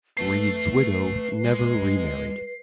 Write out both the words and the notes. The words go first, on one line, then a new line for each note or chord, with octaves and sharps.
Reid's widow never remarried.
A3 B4 A5 C7
G#3